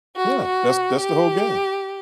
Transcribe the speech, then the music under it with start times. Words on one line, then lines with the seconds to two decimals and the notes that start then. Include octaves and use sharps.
Yeah, that's that's the whole game.
0.16 F#4
0.45 F#4
1.02 G4